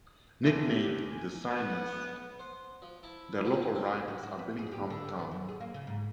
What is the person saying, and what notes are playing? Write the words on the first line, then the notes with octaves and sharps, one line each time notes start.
Nicknamed "the Synners", their local rivals are Billingham Town.
E2 D3 A3
G4
G#5
B3
C5
F3
E4 A5
F#2 C3 F3 F4 F#4 B4
F#2 C4
F#4
F#4
B4
G#4
G4
D3
B3
F#2
G#4
A#3
C#3
G#2